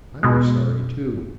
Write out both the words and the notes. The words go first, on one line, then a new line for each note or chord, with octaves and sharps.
I was sorry, too.
B2 G#3